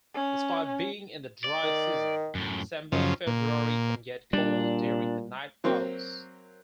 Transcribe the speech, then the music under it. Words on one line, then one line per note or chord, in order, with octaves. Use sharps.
Despite being in the dry season, December-February can get cold during the night hours.
C#4
D5
D#3
F#2 A2
F#2 C#3 F3
A#2
A#2 G3 D4
F#3 A#3 C4